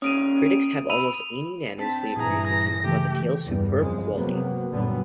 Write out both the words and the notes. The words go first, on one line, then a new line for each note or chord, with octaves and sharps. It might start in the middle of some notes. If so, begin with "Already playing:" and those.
Critics have almost unanimously agreed with him about the tale's superb quality.
A#2 C#4 D#6 D7 D#7
B5 E6 D#7 F7
C4 D4 A5 B6
G2 A#2 E3 G#4 A#5
A#6
C#3 E3 A3 G4
E2 G2
G1 F2 C#3 F3 G#3
C3 F#3 A#3 B3
F#1 A#2 D3 F#3 G3 B3